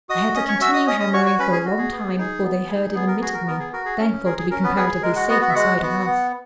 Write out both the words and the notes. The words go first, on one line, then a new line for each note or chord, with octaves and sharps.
"I had to continue hammering for a long time before they heard and admitted me, thankful to be comparatively safe inside a house."
F#4 D#5 D#6
C#4 D#5 D#6
C#5 C#6
F#4 E5 E6
D#5 D#6
C#4 D#5 D#6
D#5 D#6
F#4 C#5 C#6
C#5 C#6
C#4 B4 B5
G#4 G#5
F#4
G#4
B3
D#4 G#4
B3
D#4 G#4
B3 G#4
A#4
F#4 G#4
A#4
B3 A#4
G#4
F#4 A#4
G#4
C#4
G#4 A#4
G#4
C#4 A#4
B3 B4
B3 G#4 B4
G#3 A#4
F#4 F#5
B3 F#4 F#5
F#4 F#5
E5
G#3 F#4 F#5
B3 F#4
B3